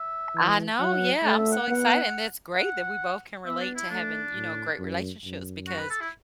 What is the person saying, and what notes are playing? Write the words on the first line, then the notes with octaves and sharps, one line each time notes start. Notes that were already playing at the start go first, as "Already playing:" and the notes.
I know, yeah, I'm so excited, and that's great that we both can relate to having, you know, great relationships because
Already playing: E5
E3
F#3 F#5
A3 A5
E5
F#5
B3
F#5
B3 E5
D4
E4
A3 D4
A2
F#2
F#2
F#4
B4
A4
E4